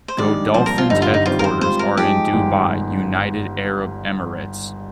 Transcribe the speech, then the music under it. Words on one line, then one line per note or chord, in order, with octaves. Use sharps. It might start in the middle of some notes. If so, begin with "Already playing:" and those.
Godolphin's headquarters are in Dubai, United Arab Emirates.
C5
G#2 D#3 G3 D4 D5
C2 A#2 F3 C4 C5
A#4
F4
G1 G2 D3 G3 D#4
F4
D#4
G2 D#3 G3 C4 D#4 F4
A#4
C5
G#2 G3 C4 F4 C5
A#4
G#2 F3 G#3 D#4 G4
G1 G2 D#3 G#3